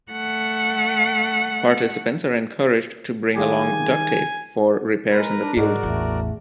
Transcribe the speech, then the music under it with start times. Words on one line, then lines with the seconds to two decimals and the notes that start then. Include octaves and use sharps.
Participants are encouraged to bring along duct tape for "repairs in the field".
0.12 A3 F#5
3.36 D#3 G3 G#3 F4 G#5
5.10 G#3 A#4 B4 A#5
5.40 D4
5.56 G#2 B2 F#4 G#4 A#4 D5
5.83 A1 E2 A3